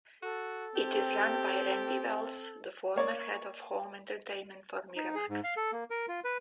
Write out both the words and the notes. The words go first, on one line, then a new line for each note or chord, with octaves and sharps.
It is run by Randy Wells, the former head of home entertainment for Miramax.
F#4 A4
C4 G4
A#3 C#5 D5
D#4
G#4
G#2
F5
A4
A#3
A#4
F4
B4